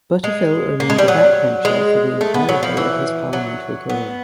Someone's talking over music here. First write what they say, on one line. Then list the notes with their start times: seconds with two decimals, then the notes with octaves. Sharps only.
Butterfill remained a backbencher for the entirety of his parliamentary career.
0.24 G#3
0.80 A#3
0.90 G#3
0.98 G3
1.08 F#3
1.65 G#3
2.21 A3
2.34 B3
2.49 F#3
2.63 F3
2.77 E3
3.33 F#3
3.89 B3